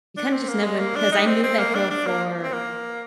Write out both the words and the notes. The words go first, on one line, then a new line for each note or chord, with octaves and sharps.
kinda just never kn 'Cause I knew that girl for
D4
C4
A#3
G#3
A#3
D4
D#4
C4
C4
A#3
D4
D4
A#3
C4
A#3